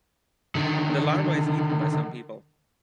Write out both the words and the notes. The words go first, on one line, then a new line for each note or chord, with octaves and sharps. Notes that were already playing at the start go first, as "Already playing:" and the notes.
This larva is eaten by some people.
D3 D#3